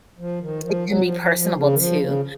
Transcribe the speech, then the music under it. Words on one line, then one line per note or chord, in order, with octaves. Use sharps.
It can be personable too.
F3
D#3
F3
F#3
F3
F3
F3
C#3
D#3
F3
C#3